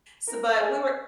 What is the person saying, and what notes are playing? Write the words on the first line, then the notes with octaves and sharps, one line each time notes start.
s but we were
A#4
G#4